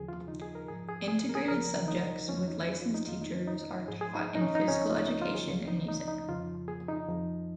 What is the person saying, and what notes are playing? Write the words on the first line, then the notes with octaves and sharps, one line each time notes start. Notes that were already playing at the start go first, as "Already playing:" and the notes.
Integrated subjects with licensed teachers are taught in physical education and music.
Already playing: D#2 C#3 F3 G#4
F4
D#4
G#4
A#4
G#2 F3 G#4
G#4
G#4
A#4
G#4
C#2 C#3 F3 A#4
D#4
F2 F3 C#4
D#4
G#4
F4
D#4
F2 D#3 F4
D#4
C#4
D#4
G#2 F3 G#4
G#4
D#4
D#4
C#4
D#4
C#2 C#3 F3 C#4
D#4
F4
D#4
D#4
F4
G#4
C#2 C#3 F3 C#4
D#4
D#4
D#4
F2 C#3 F3 F4
G#4
D#4
F2 F3